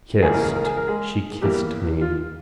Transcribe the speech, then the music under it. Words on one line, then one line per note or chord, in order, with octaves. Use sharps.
Kissed, she kissed me.
C#2 C#3 E3 A#3 C#4 G#4
A#4
G#4
A#4
G#4
A#4
G#3 G#4
E2 E3 G3 A#3 G4
F4